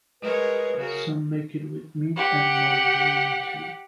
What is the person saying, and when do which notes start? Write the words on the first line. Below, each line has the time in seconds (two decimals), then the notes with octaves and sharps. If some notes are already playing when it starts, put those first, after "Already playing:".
Some make it with meat and margarine too.
0.22 G#3 A#4 B4 C#5
0.77 C#3 F#4 A#4
2.16 G4 F#5